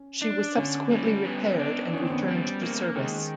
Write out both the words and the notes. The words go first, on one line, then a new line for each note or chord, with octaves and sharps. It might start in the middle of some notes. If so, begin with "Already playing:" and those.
She was subsequently repaired and returned to service.
Already playing: C#4
D4
D3 C#4
G3
B3
D4
D#3 C#4
C4
B3
C4
G3
A#3
D#3 G#3